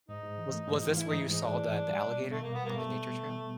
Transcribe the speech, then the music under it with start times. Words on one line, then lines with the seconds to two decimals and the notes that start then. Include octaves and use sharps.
Was was this where you saw the the alligator on the nature trail?
0.09 G#2 D#4
0.23 G#2
0.38 E3
0.53 A3
0.67 G#2
0.83 E3
0.90 F4
0.98 E3 E4
1.08 G#2 D#4
1.20 E4
1.28 G#2 D#4
1.42 G#2 D4
1.58 E3
1.73 G#2
1.88 G3
2.03 B2
2.18 B3
2.32 B2 A3
2.43 B2 A#3
2.54 B3
2.62 G3 A#3
2.76 A3 B3